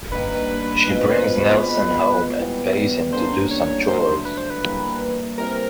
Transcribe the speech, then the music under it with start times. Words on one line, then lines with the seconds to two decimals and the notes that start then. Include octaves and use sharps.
She brings Nelson home and pays him to do some chores.
0.12 G2 D#3 G3 A#3 B4
0.87 B2 G#3 C4 F4
1.63 B2 G#3 B3
2.38 E3 G3 B3
3.13 D3 G3 A#3 C#4 C5
3.51 C#5
3.88 D3 F#3 A3 C5
4.25 B4
4.37 C5
4.50 B4
4.63 E3 G3 A#3
5.38 C3 E3 G3 A#4